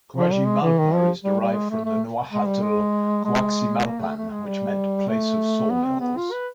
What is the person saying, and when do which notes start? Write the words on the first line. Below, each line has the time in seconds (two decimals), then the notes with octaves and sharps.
"Cuajimalpa" is derived from the Nahuatl "Cuauhximalpan" which meant place of sawmills.
0.17 F3
0.32 G3
0.47 G#3
0.62 E3
0.79 D#3
0.94 F3
1.24 G3
1.40 G3
1.56 G#3
1.70 A3
1.85 A3
2.32 G#3
2.47 G3
2.63 G#3
3.25 G#3
3.87 A#3
4.01 A3
4.16 A3
4.32 G#3
4.47 G3
5.09 A3
5.71 B3
5.85 C4
6.01 B3
6.17 F4
6.32 B4